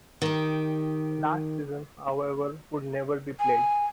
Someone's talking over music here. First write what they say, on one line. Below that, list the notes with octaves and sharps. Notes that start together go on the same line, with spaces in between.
That season however would never be played.
D#3 G4
G#5